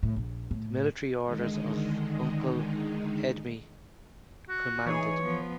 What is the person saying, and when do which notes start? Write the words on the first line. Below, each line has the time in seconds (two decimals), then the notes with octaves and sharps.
The military orders of Uncle Edme commanded.
0.03 A2
0.16 A#1
0.51 A2
1.24 D3 D#3 G#3 D#4
4.49 F#4
4.86 E3 D#4 G#4 C#5
5.22 F3 B3